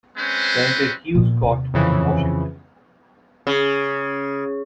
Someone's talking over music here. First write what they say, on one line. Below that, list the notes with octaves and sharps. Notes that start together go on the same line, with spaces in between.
Senator Hugh Scott in Washington.
G#3 C4 C#4 B4 C5
A#2 B3
D#2 C3
F2 C#3 E3
C#3